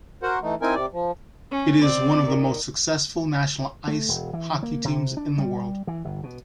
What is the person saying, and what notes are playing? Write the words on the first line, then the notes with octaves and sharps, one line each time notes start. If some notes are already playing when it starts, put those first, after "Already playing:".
It is one of the most successful national ice hockey teams in the world.
F#4 A#4 C5 F#5
E3 A3 D#4
C4 D#4 E4 A#4 G5 G#5
C3 D5
F3
C#4
C4 D5
D#3
A3
E1
E3
A#3
C3
D4
G3
E3
G1
B2